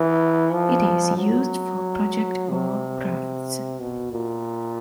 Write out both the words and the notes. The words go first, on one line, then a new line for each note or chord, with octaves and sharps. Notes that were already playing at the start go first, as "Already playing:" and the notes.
It is used for projects or crafts.
Already playing: E3
F3
F#3
C3
B2
A#2